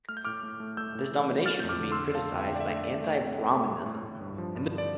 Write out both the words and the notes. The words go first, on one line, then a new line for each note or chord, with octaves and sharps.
This domination is being criticised by Anti-Brahminism.
A3 F6
G6
A2 D6 F6
A3
A3
A3 E6 G6
A2
E3
A3
A3 F6 A6
F2 G6
D6 F6
D3
C6 E6
A3
A3 F5 A5
F2
E5 G5
D3
D5
E5
A3
A3 D5
A3
C4
C4
A3
A2
A2
A2
G2
F3
G2
D3
D5